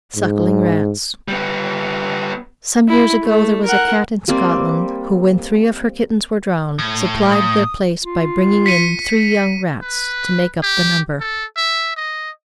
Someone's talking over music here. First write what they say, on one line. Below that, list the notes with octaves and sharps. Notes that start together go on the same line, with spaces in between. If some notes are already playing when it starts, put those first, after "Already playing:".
SUCKLING RATS.--Some years ago there was a cat in Scotland who, when three of her kittens were drowned, supplied their place by bringing in three young rats to make up the number.
G#2
G3 B3
E4
A3
A#4 F#5
G3 A#3 C4
A2
D#6
F4
B6 C#7 D#7
B4
G4
A4
E5
D#5